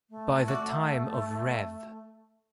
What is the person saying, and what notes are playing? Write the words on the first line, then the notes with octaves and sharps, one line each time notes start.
By the time of Rev.
A3
F#4 D5